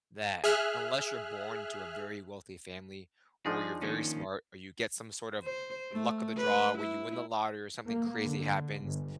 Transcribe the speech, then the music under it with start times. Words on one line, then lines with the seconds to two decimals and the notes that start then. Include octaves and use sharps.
that, unless you're born into a very wealthy family, or you're very smart, or you get some sort of luck of the draw where you win the lottery or something crazy happens,
0.44 G#4 E5 F6 F#6
3.46 F3 D4 D#4 G#4
3.82 D#3 A#3 C#4
5.43 C5
5.92 A3
6.37 B4
6.78 E4
7.87 A#3
8.24 D3
8.83 G1